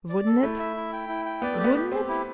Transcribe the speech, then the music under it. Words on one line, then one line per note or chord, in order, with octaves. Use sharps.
Wouldn't it? Wouldn't it?
D5
A4
A3 E4
E5
E4
G5
E4
G5
B3 D5
A3
G4
B3
G4
C4 G4
E4